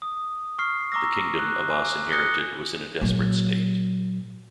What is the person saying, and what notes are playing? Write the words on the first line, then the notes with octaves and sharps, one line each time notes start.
The kingdom Abbas inherited was in a desperate state.
D#6
C#6 F6 C7
A#5 C#6 D6 E6 A#6
F#6
G#5 D6
D#6 F#6 A#6 C#7 G7
A#2 F#3